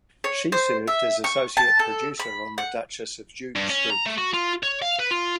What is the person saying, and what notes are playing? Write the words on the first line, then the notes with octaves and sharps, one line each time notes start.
She served as Associate Producer on "The Duchess of Duke Street".
C#5
C5
E5
C#6
A5
A4
B5
F#5
G2
C#4
A#5
A3
F#4
F4
C#5
F5
B4
F4